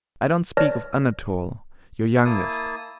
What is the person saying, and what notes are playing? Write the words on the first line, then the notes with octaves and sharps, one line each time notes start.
I don't speak of Anatole, your youngest.
B4 C#5 D5 A5 F6 A#6
A#3 E4 A5 D#6